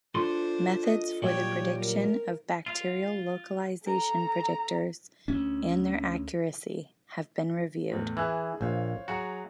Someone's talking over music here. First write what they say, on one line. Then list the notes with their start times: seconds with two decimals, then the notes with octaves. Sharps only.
Methods for the prediction of bacterial localization predictors, and their accuracy, have been reviewed.
0.15 D4 F4 A4 C5 C6
0.85 D#5
1.22 A#2 F#3 G3 C#5 G5
1.77 A#4
2.66 F4
3.83 A4 A#5
5.28 D2 C#4
7.90 E2 A2
8.17 E3 G#4 F#6
8.61 A#1 C5 C#5 F5
9.08 F#3 F#4 G#4 A#5